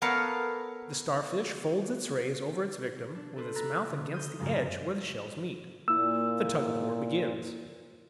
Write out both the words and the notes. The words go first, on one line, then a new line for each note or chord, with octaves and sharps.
The Starfish folds its rays over its victim, with its mouth against the edge where the shells meet. The tug-of-war begins.
B3 A4 A#4 C#5 F5 F#5
D4
A4 B4 C5
A#5 B5 E6 F#6 A6 A#6
D3
D#6 G6
A1 F#2 C#3 F3 G#3
A#2 A#3 E4 E6